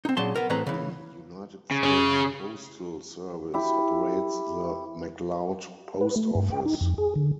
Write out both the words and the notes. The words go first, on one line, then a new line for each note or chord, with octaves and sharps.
The United States Postal Service operates the McLoud Post Office.
C4 D#4
A#2 C#3 F#3 A5 C6
B3 A#4
A2 E3 C4 G#4 B4 A#5
C#3 E3
C#3
F#2 G#4 C#5
E4 G4
B4
A3
G2
G5
D#4
F2
G#4
D3